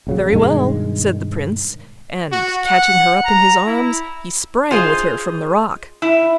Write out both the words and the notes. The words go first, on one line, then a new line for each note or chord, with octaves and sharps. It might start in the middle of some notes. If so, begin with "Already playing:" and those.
"Very well," said the prince; and, catching her up in his arms, he sprang with her from the rock.
A#1 C#3 F#3
G2 B2 D#3 G#3
F#4
F#5
A#5
E4
F4 G#4 C5 D#5
E4